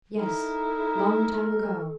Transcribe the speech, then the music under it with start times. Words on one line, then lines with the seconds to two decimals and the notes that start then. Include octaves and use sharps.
Yes, long-time ago.
0.18 D#4 E4 A4 A#4